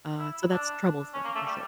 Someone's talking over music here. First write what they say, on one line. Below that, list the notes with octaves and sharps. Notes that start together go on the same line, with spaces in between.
uh, so that's troublesome for sure.
E4
D4
C#4
A#3
A3
G3